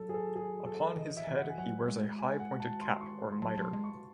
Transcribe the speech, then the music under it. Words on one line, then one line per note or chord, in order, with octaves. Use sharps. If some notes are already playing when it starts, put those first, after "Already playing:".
Upon his head he wears a high pointed cap or miter.
Already playing: F#3 A4
G#4
A4
G#4
A4
E3 D#5
E5
E3
F#5
G#5
F#3 F#5
G#3
G#5
F#5
A5
C6
C#6
C6
F#3 A5
F#3 C6
G#3
C#6